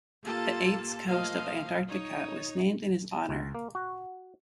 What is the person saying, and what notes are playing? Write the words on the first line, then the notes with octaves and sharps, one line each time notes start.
The Eights Coast of Antarctica was named in his honor.
A#3 F4 G4 A4 A5
F3 A3 A#3 D#5 F5
D#4 C#5
C#2
A#3
F#4